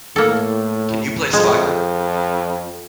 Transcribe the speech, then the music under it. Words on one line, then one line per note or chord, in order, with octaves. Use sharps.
Can you play Slacker?
A2 A#3 A4
F2 G#3